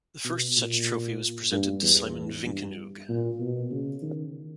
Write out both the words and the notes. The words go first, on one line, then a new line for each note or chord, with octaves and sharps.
The first such trophy was presented to Simon Vinkenoog.
B2
A#2
G2
E2
G2
A#2
B2
C#3
D#3